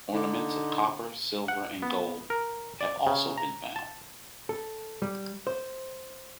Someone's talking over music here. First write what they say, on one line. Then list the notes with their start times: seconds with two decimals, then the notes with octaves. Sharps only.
Ornaments of copper, silver and gold have also been found.
0.14 D3 D#4
1.48 F#5
1.82 B3
2.30 A#4
2.81 D5
3.07 C#3
3.38 A#5
3.76 A5
4.49 A4
5.02 G3
5.47 C5